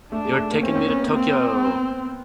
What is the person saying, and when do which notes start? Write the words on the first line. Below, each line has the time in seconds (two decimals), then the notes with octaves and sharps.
You're takin' me to Tokyo!
0.12 A3 D4
0.25 G#3
0.38 A3
0.51 A#3
0.63 C4 C#4
0.75 C4
0.88 B3
1.02 A#3
1.14 A#3 C4
1.65 B3